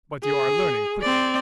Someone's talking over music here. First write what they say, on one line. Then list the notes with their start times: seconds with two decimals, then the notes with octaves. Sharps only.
"But you are learning quickly."
0.24 G#4
1.02 C4 D5